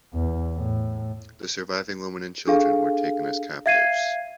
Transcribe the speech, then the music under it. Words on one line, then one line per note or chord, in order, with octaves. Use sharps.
The surviving women and children were taken as captives.
E2
A2
D4 G#4 A4 F5
E5 F5 G#6 C7 D#7